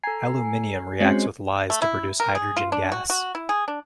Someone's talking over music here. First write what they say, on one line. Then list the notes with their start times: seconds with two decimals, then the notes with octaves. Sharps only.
Aluminium reacts with lyes to produce hydrogen gas.
0.03 A4 G#5 A#5 C7
1.00 G#3 C4 C#4 F#4 C5 C#5
1.70 A3
1.82 E4
2.20 A#4
2.35 G#4
2.56 F4
2.72 D4
2.92 F#4
3.10 F#4
3.35 E4
3.49 G#4
3.68 D4